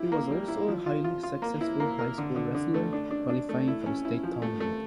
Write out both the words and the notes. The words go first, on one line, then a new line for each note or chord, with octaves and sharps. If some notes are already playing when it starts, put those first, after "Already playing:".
He was also a highly successful high school wrestler, qualifying for the state tournament.
Already playing: E4 G4
A#3
G3
E4
F3
F4
F4
F4
A#3
E4
A#3
A#4
D3
D3
D3
A3
D4
D4
D4
A3
E4
C#4
E4
F3
A3
A3